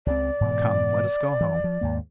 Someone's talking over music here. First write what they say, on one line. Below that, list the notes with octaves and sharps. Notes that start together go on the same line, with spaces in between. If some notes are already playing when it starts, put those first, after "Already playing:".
But come, let us go home!
C#2 C#3 C4 D5
G#2 B2 E3
E3
F3
D#2 G#2 A#3